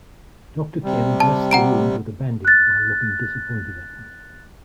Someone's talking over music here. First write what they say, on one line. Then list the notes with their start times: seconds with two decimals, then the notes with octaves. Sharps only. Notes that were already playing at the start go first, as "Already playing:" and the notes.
Doctor Kim dressed the wound with a bandage while looking disappointed at me.
0.84 C3 G3
1.20 A5
1.51 F#5 A#5 D7
2.45 F#6 A6